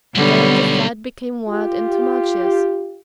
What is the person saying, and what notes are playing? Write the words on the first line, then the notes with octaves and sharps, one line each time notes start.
Then the flight became wild and tumultuous.
B1 D3 G3 B3 C#5
F4 G4